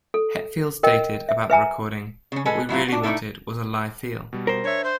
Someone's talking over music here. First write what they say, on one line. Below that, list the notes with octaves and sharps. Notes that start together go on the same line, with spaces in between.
Hetfield stated about the recording: What we really wanted was a live feel.
A4
A#4 D#5 G5
E5
B4 E5 G#5 A#5
C#3 C#4
G#3 A4 B4 G#5
A2 F#3 E4 F4
D4 F#4
A2 A3 C4 D#4 E4 A4
B2 G3
A#4 C5
D4 C#5 E5
C5